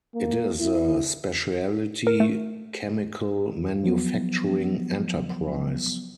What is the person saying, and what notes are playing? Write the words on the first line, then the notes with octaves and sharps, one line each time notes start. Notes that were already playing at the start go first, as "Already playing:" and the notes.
It is a specialty chemical manufacturing enterprise.
A#3
E4
A#4
A3
F3 F#3 B3